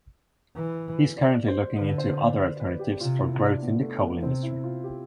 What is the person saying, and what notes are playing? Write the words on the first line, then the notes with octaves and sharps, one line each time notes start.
He is currently looking into other alternatives for growth in the coal industry.
E3
D5
C5
D3 B4
C5
D5
C5
B4
G4
C3 F4
E4
D4
B3
A3
B3
C3 C4
E4
F4
G4